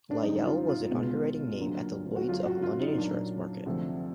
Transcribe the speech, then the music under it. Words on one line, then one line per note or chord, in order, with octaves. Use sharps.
Lyell was an underwriting 'Name' at the Lloyd's of London insurance market.
D4
F#2 D3 G3 D#4
F4
F4
C#2 B2 G#3 B3
D2 D3 F#3 A#3
F#4
F#2 C#3 F#3 A3 F4
F#4
F4
D#4
A#2 F#3 A#3 D4
D2 C3 F3 A3